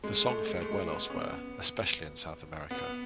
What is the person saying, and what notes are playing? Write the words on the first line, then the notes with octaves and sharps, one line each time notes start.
The song fared well elsewhere, especially in South America.
G#3
A3
G#3
A3
G#3
B3
C#4
B3
B3